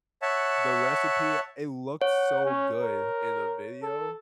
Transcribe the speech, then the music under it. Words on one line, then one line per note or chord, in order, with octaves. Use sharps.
the recipe it looked so good in the video,
C#5 E5 F#5 A5
C#5 F#5
C#4
A#4
A4